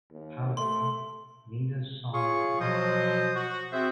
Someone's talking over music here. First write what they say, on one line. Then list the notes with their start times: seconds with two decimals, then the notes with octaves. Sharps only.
However, neither song won.
0.11 D#2
0.57 A3 C6
2.13 F4 G#4 C#5 C#6
2.60 B2 F3 F#3 C5 D#5 D#6
3.35 F#4
3.72 C4 F#4 G#4 C5 E5